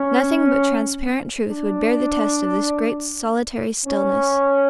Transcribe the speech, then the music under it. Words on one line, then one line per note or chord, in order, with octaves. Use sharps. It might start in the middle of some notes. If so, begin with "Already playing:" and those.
Nothing but transparent truth would bear the test of this great, solitary stillness.
Already playing: C#4
D4
C#4